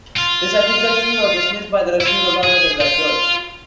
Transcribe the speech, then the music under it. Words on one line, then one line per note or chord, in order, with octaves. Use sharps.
This accusation was dismissed by the Russian government as "absurd".
F4
E4
F4
G#4
F4